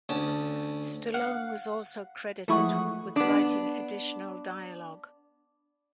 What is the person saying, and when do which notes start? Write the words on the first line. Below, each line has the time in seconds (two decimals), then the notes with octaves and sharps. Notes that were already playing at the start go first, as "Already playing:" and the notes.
Stallone was also credited with writing additional dialogue.
0.09 D2 C#4 A5
1.14 F5 F#5
2.48 E3 F3 G#3 A3 E4 F#5 C#6 D#6
3.16 B3 D4